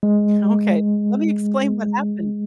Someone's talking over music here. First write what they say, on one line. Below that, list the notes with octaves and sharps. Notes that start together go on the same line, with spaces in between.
Okay. Let me explain what happened.
G#3